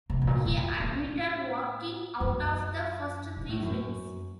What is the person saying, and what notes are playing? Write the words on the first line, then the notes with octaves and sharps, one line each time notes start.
He admitted walking out of the first three films.
C3
A2
A#2
F#2
A2
F#2
A#2
A2
F#2